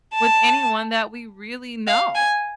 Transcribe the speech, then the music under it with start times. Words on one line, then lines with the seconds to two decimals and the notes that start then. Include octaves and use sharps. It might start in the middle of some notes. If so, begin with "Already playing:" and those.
with anyone that we really know.
0.15 A5
1.87 F5
2.15 G#5